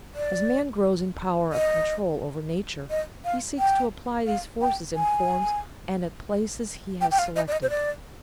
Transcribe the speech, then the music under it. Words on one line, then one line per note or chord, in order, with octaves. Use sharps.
As man grows in power of control over nature, he seeks to apply these forces in forms and at places he has selected.
D5
D#5
D#5
F5
G5
F5
G5
G#5
G5
G5
F5
D#5
D5
D#5
C5
D5